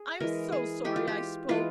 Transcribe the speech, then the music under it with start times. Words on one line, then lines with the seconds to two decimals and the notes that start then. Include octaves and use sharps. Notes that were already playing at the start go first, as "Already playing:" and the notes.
I'm so sorry I spoke.
Already playing: G#4
0.20 E3 G#3 A#4
0.52 G#4
0.85 E3 G#3 G4
0.96 F4
1.07 G4
1.49 E3 G#3 F4